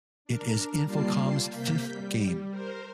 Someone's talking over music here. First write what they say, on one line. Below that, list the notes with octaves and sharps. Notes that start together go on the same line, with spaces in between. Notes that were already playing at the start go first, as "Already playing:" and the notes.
It is Infocom's fifth game.
D4 A#4
G3 A#3 F4 D5 A5 C7
C3 A#3 G6 B6
G3
A#4 C5